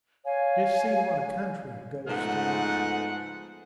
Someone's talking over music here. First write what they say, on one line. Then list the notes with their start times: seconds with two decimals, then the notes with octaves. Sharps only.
Just see what a country it goes through.
0.25 C#5 F5 G#5
2.06 G#2 F3 A3 B3 F#5